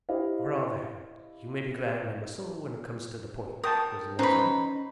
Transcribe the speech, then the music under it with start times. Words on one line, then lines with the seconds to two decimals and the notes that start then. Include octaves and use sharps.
"For all that, you may be glad of my muscle when it comes to the point," was the answer.
0.09 E4 G4 C5 D#5 F5
3.64 A#4 G5 A5 D#6
4.19 C#4 D#4 B4 C5 B5